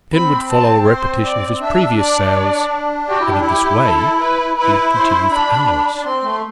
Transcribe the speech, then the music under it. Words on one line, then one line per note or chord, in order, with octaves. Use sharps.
Then would follow a repetition of his previous sales, and in this way he would continue for hours.
C4 B5
A5
C5
D5
C4
D4 E5
D5
F#4 G4
E4
D4
E4
G4
A4
B4
E4 B4
C5
D4 B5
D4
C4 C6
A3